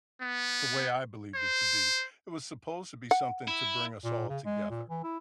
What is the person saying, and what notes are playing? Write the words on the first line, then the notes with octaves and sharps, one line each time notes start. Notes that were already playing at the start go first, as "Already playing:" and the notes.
the way I believed it to be, it was supposed to be something to bring us all together,
B3
C5
F#5
E4
A#2
C#3
G#3
A#2
E3
E4